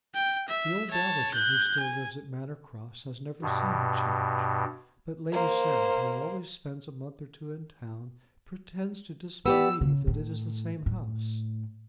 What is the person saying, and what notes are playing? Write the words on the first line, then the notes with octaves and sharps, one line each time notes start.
The old Dowager who still lives at Manor Cross has never seen the change, but Lady Sarah, who always spends a month or two in town, pretends to disbelieve that it is the same house.
G5
E5
C#5 A5
F#6 G6
G#5
G2 B2
A#3 C5
B3 G4 D5 E6
C#3
A2
A2